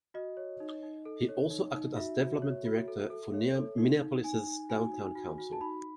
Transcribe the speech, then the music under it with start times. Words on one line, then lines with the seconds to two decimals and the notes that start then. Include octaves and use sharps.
He also acted as Development Director for Minneapolis's Downtown Council.
0.14 F#4 D#5
0.37 C#5
0.60 D#4
0.83 D#4
1.05 A4
1.29 C#5
1.51 D#4
1.74 D#4
1.96 F#4 E5
2.20 F#4
2.42 C#5
2.65 F#4
2.88 A4
3.10 A4
3.34 C#5
3.55 A4
3.78 D#4
4.01 D#4
4.23 D#4 G#5
4.47 D#4
4.69 F#4 G#5
4.92 D#4
5.16 F#4
5.38 F#4
5.53 A5
5.61 D#4 B5